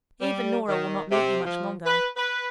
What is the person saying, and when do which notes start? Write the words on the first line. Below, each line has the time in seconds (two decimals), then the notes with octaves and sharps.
Even Nora will not meet you much longer.
0.21 G3
0.68 D#3
1.11 C3
1.44 F3
1.86 B4
2.17 B4